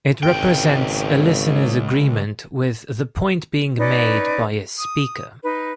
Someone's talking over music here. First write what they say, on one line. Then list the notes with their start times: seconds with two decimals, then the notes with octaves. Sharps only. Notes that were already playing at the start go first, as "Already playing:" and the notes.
It represents a listener's agreement with the point being made by a speaker.
0.23 G#1 C#2 G5
3.78 C#4 D#4 B4 D5
4.79 D#6
5.43 D#4 B4